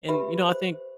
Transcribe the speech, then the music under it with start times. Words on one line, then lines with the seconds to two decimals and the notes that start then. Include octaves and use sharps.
And, you know, I think
0.09 G4 B4 E5 B5
0.49 C5